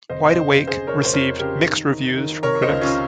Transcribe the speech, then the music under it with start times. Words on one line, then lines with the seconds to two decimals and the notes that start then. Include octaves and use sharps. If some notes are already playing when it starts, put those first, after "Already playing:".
"Wide Awake" received mixed reviews from critics.
0.09 F1 C5 D#5
0.29 C5 D#5
0.36 C#3
0.61 C#3
0.67 G#4 C5
0.87 F1 A#4 C#5
1.05 C5
1.13 F2 A#4 C#5
1.39 C#3 G4 A#4
1.65 D#3
1.91 D#3
2.17 D#3
2.42 C3 A#4 C#5
2.62 C5 D#5
2.69 C#2
2.81 C#4 F4